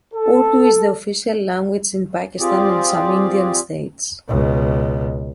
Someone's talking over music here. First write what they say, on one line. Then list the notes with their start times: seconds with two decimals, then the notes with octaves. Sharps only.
Urdu is the official language in Pakistan and some Indian states.
0.14 A4
2.40 C4 F4 G4 G#4 D5
4.28 C#2 B2